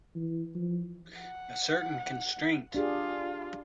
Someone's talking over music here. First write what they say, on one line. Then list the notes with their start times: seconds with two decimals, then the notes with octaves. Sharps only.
A certain constraint.
0.16 E3
0.55 F3
1.21 F#5
2.74 D4 F4 G4 G#4